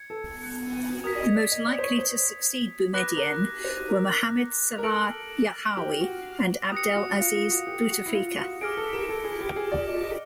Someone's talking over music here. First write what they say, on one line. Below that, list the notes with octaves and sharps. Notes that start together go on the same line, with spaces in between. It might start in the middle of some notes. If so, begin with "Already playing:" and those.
The most likely to succeed Boumediene were Mohammad Salah Yahiaoui and Abdelaziz Bouteflika.
Already playing: G#6 C#7
A4
A#4 D#6 G#6 B6
D5
D#5
D5
D#5
D5
C5
C#5
C5
B4 D6 F#6 A#6
A#4
C5
A#4
A#4
A4 F6 A#6 D7 F#7
G4
F#4
G4 D#6 F#6 A#6 C#7
F#4
F4
F4
F#4
G4
F#4
E4
F4
F#4
G#4 D6 F6 A#6 D7
A4
A#4
A4
G#4
G4
G#4
D5
D#5
D#5